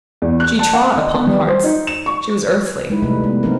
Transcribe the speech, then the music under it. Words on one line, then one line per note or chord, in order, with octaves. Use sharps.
She trod upon hearts. She was earthly.
E2
F#6
A5
F#5
D#5
B3
G3
C5
D#4
E7
C#6
G#3 D#4 E4 B4
C3 G3 A3 B4
G#3 A3 B3
F3 G3 C4 D#4 A#4